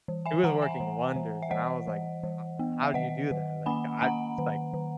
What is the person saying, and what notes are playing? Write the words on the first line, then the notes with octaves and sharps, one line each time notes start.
It was working wonders, and I was like, "H how'd you do that? Like, I it's like,
E3
E5 G#5
E3 F#5 A#5
E5 G#5
E3
E3
E5
E3 D#5 F#5
E3
E3
B3
E5
D#3 D#5 F#5
D#3
A#3 G#5 B5
A#3 F#5 A#5
D#3
D#3